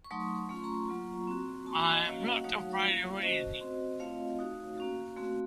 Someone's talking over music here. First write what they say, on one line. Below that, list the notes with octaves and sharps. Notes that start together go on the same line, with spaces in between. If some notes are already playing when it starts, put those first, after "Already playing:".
I'm not afraid of anything.
C#6
F#3 A3 D#4 C6 D#6
A3 C#4 F4 C#6
C6
A#5 C#6
F#3 A#3 F4
C4 F#4
A#3 D#4 F#4 A5 C6
D#5 F#5
A#3 C#4 F#4 C#5 F5
F#5
F#3 A3 D#4 F#4 C#5 F5
A#3 C#4 F4
A3 C#4 F#4 C5 D#5
C4 F#4
D#5
A3 C4 F4 C#5 F5
A3 D#4 F#4
A#3 C#4 F#4
A3 C4 F#4